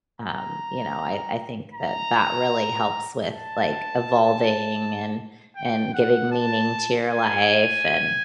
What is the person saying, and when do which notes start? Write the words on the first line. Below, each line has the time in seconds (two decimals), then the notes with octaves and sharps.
um, you know, I I think that that really helps with, like, evolving and and giving meaning to your life, and
0.21 A#5
1.74 A#5
3.27 A5
5.56 G5
5.94 F#5
6.32 A5
7.08 G#5